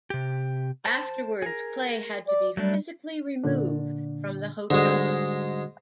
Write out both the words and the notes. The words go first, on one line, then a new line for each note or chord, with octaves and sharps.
Afterwards Clay had to be physically removed from the hotel room.
C3 G4
C5 A5
G#4 A#4
D5
F#3 G3 A3 D4
A#2 D3 D4
G#2 D3 G3 G#3 F#4